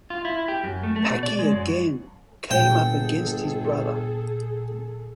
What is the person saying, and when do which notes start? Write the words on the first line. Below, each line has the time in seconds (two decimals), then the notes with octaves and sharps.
Paki again came up against his brother.
0.10 F4
0.25 E4
0.48 G4
0.64 F#2
0.83 A3
0.96 A3
1.10 B2
1.23 D5
1.39 G#3
1.52 F#2
2.51 G1 A#2 G#4 A4 G5